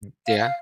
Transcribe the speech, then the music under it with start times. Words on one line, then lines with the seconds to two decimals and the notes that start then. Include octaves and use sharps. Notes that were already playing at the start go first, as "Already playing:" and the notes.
M Yeah.
0.26 F5
0.39 F5